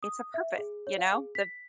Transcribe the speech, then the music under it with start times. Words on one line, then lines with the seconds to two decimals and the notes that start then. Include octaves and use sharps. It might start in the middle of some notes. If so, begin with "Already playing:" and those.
"It's a purpose," you know? The
0.03 D#6
0.34 E5
0.58 G#4
0.87 C#5
0.98 F5
1.12 G#4
1.35 B6